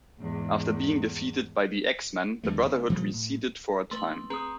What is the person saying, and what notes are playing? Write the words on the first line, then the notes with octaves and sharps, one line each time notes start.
After being defeated by the X-Men, the Brotherhood receded for a time.
E2 G#2
D#2 D3 G3 A3
C#2 C#3
A#2 F3 G3 A3
A2
A3 B4 C6
C4 G#4 B4 A#5 D#6